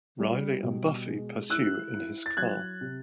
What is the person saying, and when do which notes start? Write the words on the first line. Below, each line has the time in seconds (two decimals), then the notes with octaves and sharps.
Riley and Buffy pursue in his car.
0.20 G3
0.63 B2
1.06 G#3
1.49 E4 E6 F#6
1.94 E4
2.26 A6
2.37 F#3 F#6 G#6
2.81 C3